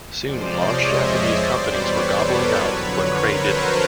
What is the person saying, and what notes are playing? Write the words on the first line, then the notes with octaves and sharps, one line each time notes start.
Soon large Japanese companies were gobbling up what Cray didn't.
F2 C3 F3 G#3 C5 D5
C#5 D#5
D5 E5
C#5 D#5
E2 B2 G3 C5 D5
B4 C#5
A4 B4
A#4 C5
F2 D3 F#3 B4 C#5
B4 C#5
A#4 C5
A4 B4